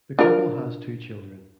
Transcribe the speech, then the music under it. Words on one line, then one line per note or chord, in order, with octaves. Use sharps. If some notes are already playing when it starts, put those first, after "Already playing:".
The couple has two children.
D4 F4 A#4